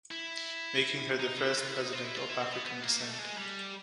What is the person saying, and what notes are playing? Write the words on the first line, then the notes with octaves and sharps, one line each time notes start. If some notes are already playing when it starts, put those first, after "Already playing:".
Making her the first President of African descent.
E4
D#4
E4
F4
E4
D#4
F4
E4
F4
E4
C4
B3
B3
A#3
A3
A3
G#3
G3